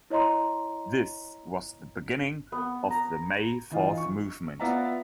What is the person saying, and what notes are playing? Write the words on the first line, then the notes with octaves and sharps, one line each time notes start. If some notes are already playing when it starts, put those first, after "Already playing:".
This was the beginning of the May Fourth Movement.
E4 C#5 D#5 A#5 C6
B3
A#5
E3 D#4 F4
C#6
B3 F4 D5 E5 F#5 A#5